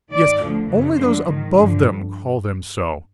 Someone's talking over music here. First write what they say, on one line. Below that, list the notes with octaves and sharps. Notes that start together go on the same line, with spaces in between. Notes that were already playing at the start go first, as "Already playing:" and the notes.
"Yes; only those above them call them so."
G#2 D#3 D5
D2 D3 F3
F#2 C#3 E3
F#2 D3 F3 C5
G#2 D#3
G2 D3 F3